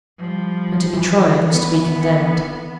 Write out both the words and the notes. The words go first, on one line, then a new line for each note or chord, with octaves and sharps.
And to be tried was to be condemned.
F3 G3
E3
B3